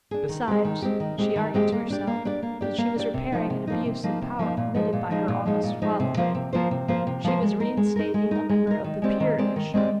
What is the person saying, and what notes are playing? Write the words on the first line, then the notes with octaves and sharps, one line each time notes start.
Besides, she argued to herself that she was repairing an abuse of power committed by her august father. She was reinstating a member of the peerage.
D4 G#4
D#3
G#3 C4 G4
D#3
G#3 C4 G4
D#3
G#3 C4 G4
D#3
G#3 C4 G4
A#3
D4 G4 D5
A#3
D4 G4 D5
A#3
D4 G4 D5
A#3
D4 G4 D5
C3
F3 A#3 D#4
C3
F3 A#3 D#4
C3
F3 A#3 D#4
C3
F3 A#3 D#4
A#2
F3 G#3 D#4
A#2
F3 G#3 D#4
A#2
F3 G#3 D#4
A#2
F3 G#3 D#4
C3
F3 A#3 F4 C5
C3
F3 A#3 F4 C5
C3
F3 A#3 F4 C5
C3
F3 A#3 F4 C5
G#3
D#4 A#4
G#3
D#4 A#4
G#3
D#4 A#4
G#3
D#4 A#4
D#3
G#3 C4 G4 D5
D#3
G#3 C4 G4 D5
D#3
G#3 C4 G4 D5